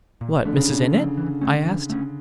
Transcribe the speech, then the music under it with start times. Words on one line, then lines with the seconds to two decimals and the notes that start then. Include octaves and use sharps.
"What, Mrs. Innitt?" I asked.
0.21 A#2
0.45 D3 F3 A3
0.57 C#3
0.69 A#2
0.81 C#3
0.93 F3 A3
1.17 E3
1.41 A3 C#4
1.65 E3
1.90 A3 C#4